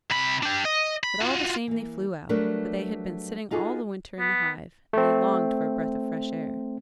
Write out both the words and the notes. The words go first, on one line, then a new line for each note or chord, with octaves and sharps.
But all the same they flew out; for they had been sitting all the winter in the hive, and they longed for a breath of fresh air.
C3 B5
D4 G4
D#5
B5
F4 F#4
E3 A#3
F#3 G3 A3 D4 A#4 B4
D#4 F4 F#4 G#4 A4
B3
A3 C4